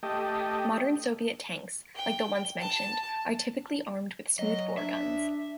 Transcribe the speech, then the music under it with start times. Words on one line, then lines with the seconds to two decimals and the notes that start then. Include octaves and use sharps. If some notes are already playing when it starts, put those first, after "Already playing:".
Modern Soviet tanks, like the ones mentioned, are typically armed with smooth bore guns.
0.03 A3 G4 D#5
1.95 G5
2.60 A5
4.39 F#3 D#5
4.77 D4 E5